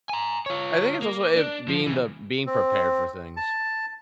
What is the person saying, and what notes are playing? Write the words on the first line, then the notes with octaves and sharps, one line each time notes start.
I think it's also it being the being prepared for things.
G#5 A#5
F4 C#5
A#3
D4
F3
C#3 E3
C4
A5